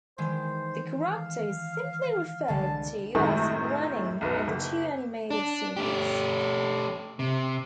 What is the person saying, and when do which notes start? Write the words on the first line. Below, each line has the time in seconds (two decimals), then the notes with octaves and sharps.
The character is simply referred to as Granny in the two animated series.
0.18 D#3 E3 G#3 C5
1.11 F5
2.48 C2 D3 G#3 A5
3.15 F#2 A2 C3 D#3 G#3 A3
4.21 B1 F#2 B3
4.48 F#1
5.31 D4
5.77 A3 G4
7.19 C3